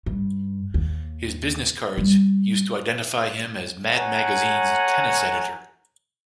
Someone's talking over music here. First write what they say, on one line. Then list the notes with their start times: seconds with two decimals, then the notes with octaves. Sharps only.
His business cards used to identify him as Mad Magazine's Tennis Editor.
0.06 G2
0.74 D#2
1.98 G3
3.92 A3 C#5 F#5 G#5 A#5